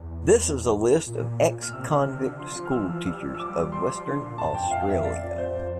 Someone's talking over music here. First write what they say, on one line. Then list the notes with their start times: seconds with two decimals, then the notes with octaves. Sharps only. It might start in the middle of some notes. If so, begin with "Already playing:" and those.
This is a list of ex-convict school teachers of Western Australia.
Already playing: E2
1.06 A#2
1.62 F6
1.68 A#2
1.73 C3 E6
1.90 D3
2.06 C3
2.22 D3
2.39 F3 C6
2.55 F3
2.65 F6
2.72 E3 E6
2.89 F3
3.06 G3 E6
3.28 F3
3.35 E6
3.39 F3 D6
3.49 G3
3.72 G3 C6
3.83 G3
3.89 F3
4.06 D3
4.21 A#2
4.38 F2 A5
4.47 G2
4.55 F2 G5
4.71 F5
4.89 E5
5.05 D5
5.38 C5